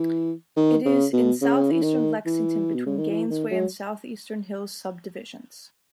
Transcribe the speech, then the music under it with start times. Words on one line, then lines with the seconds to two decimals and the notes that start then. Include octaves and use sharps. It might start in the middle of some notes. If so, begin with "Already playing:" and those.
It is in southeastern Lexington between Gainesway and Southeastern Hills Subdivisions.
Already playing: E3
0.57 D#3
0.86 C#3
1.13 B2
1.42 C#3
1.72 E3
1.83 D#3
2.26 E3
2.75 B2
2.86 C#3
2.98 D#3
3.09 E3
3.30 D#3
3.51 F#3